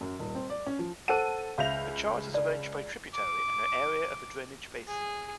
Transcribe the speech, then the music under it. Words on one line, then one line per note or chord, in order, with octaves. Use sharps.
The chart is arranged by tributary and area of the drainage basin.
F#2
D#1
C4
D5
C#4
F3
A4 C5 F#5 D#7
C#2 E5 F5 G6 F7
D5
D6
G#4